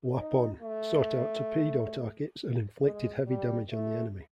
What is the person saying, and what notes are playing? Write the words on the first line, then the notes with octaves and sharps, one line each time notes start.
"Lapon" sought out torpedo targets and inflicted heavy damage on the enemy.
D#4
A3
G#3
G3
A3